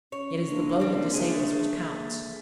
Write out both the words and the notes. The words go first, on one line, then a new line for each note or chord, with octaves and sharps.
It is the blow that disables which counts.
C#4 C#5
C#3 G#3 A#3 D4
G3 C4
A3 G#4
A#3